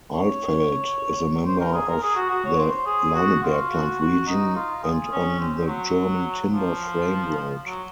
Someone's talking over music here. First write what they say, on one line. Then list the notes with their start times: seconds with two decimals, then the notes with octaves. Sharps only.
Alfeld is a member of the Leinebergland region and on the German Timber-Frame Road.
0.14 C#5
1.46 C5
1.60 A#4
1.73 G#4
1.88 A#4
2.02 G#4
2.15 F#4
2.29 F#4
2.45 C#5
2.58 C5
2.86 G#4
3.14 F#4
3.43 F4
3.71 F#4
3.99 F#4
4.27 D#4
4.56 F4
4.83 G#4
5.12 C#4
5.40 C4
5.67 F#3
6.53 F3
7.65 F#3